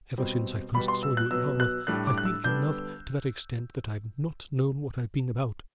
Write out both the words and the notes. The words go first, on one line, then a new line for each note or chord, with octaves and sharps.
Ever since I first saw you at Yarmouth, I've been in love to that extent that I've not known what I've been about.
B2 G3 C4
B2 G3 B3 B5
C6
E6
F#6
B2 F#3 B3 E6
F#6
A2 G3 D4 F#6
D6
F#6
E6
D3 G3 B3 D4 G6